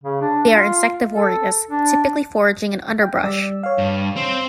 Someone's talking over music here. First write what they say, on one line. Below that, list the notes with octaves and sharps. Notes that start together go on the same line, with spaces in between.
They are insectivorous, typically foraging in underbrush.
C#3
D4
F4
A4
D4
G5
G3 D5 E6
C#5 F5
G2
C4